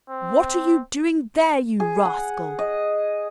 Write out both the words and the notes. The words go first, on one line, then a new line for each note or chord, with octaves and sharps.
"What are you doing there, you rascal?"
C4
G#4
F#5
D#5